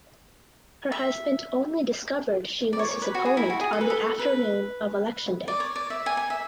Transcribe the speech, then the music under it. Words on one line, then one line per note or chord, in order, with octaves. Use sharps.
Her husband only discovered she was his opponent on the afternoon of election day.
E5
D5
C#5
C#5
B4
F#4
G#4
E4
F#4
G#4
A4
B4
A4
B4
D5
C#5
D5
E5
G#5
G#5
E5